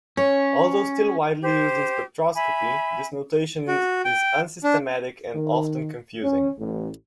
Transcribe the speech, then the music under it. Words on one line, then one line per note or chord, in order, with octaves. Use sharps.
Although still widely used in spectroscopy, this notation is unsystematic and often confusing.
C#4 C#5
G4 C5
E5 G#5 B5
F#4
G5
D4
D#3
C#4
A1